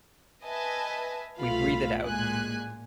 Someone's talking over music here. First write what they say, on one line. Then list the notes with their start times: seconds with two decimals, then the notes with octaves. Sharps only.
We breathe it out.
0.44 B4 D#5 E5 G#5 A5
1.40 C2 B2 A3 F4 F5 B5
2.06 A1 A#2 G#3 G#5 F#6